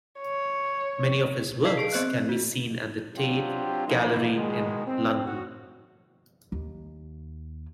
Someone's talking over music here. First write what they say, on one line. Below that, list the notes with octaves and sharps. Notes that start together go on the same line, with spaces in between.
Many of his works can be seen at the Tate Gallery in London.
C#5
D#5 F5 A5 G#6 B6 C7
G#4 C#6 C7
B3 C4 C5 D#5 F#6
F#4
F#3 C4 D4 F4 G4
E3 F3 G3 A#3 D#4
B2 D#3 G#3
C4
F#4
D#2